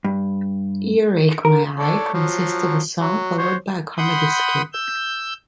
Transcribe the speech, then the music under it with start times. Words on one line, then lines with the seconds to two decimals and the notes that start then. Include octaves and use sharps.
"Earache My Eye" consists of a song, followed by a comedy skit.
0.05 G2
1.45 A#4
1.80 A4 C#5 D5
2.14 F3 F#3
3.00 F#3
3.38 F#4 C5 C#5
3.98 F#5 B5 C6 D#6 G6
4.73 E6 G6